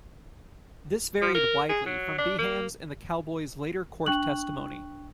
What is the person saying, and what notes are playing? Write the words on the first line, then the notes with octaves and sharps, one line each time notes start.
This varied widely from Behan's and the Cowboys' later court testimony.
F3
A#4
G#4
F#3
D4
A#3
D4 G5 C#6 F#6 F#7